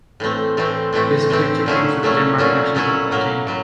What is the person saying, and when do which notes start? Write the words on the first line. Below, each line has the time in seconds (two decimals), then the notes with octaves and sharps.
He has played three games for the Denmark national football team.
0.20 A2 E3 A3 C4
0.57 A2 E3 A3 C4
0.93 A2 E3 A3 C4
1.30 A2 E3 A3 C4
1.66 A#2 F#3 A3 C#4 E4
2.03 A#2 F#3 A3 C#4 E4
2.38 A#2 F#3 A3 C#4 E4
2.75 A#2 F#3 A3 C#4 E4
3.11 A2 F#3 A#3
3.47 A2 F#3